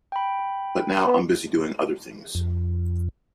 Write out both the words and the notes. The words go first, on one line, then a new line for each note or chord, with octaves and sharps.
But now I'm busy doing other things.
G5 B5
B3
F2